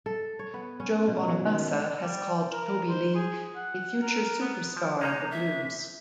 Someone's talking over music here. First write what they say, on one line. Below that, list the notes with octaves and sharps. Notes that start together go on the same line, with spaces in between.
Joe Bonamassa has called Toby Lee "a future superstar of the blues".
A4
C#5
B3
C#4
B2
F#3
D#3
G3
A#4
C5
G#4
F#5
A#4
B3
F3
G#3 A#3 D#4 A#5
E5